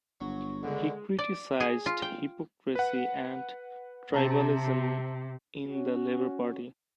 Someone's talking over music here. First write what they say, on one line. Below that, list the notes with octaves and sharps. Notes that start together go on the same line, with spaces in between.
He criticised hypocrisy and tribalism in the Labour Party.
G1 F#3
C#2 A#2 D3 G#3
D5
G#4
F4
G5
B4 F#5
C3 C4 A5 A#5
C#4 F#4